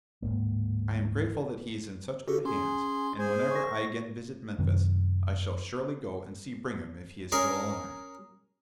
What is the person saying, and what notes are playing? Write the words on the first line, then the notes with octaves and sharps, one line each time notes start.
I am grateful that he is in such good hands, and whenever I again visit Memphis I shall surely go and see Brigham if he is still alive.
D1 G#1 G#2 A#3
F#4 G4 A4
C#4 G#4 C6
G#4 C5 G#5
C#6 A#6
F#2 C3 D#3
C#4 G#4 A#4